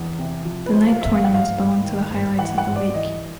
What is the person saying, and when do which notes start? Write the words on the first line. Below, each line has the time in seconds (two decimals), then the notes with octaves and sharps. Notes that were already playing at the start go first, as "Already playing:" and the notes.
The knight tournaments belong to the highlights of the week.
Already playing: E2
0.18 C3
0.45 F3
0.66 B4
0.73 C3 C5
0.87 F5
1.01 F2 E5
1.14 F5
1.24 G#2 F#5
1.34 F5
1.56 G#2
1.84 D#3
2.11 G#2
2.39 E3 F#5
2.58 F#5
2.67 G#2
2.76 D5
2.94 E3 D#5